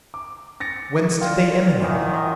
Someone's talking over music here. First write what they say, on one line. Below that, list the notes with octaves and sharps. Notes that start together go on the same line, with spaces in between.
Whence did they emanate?
D6
A6 A#6 C#7
F4 D5 G5
F#2 D#3 E3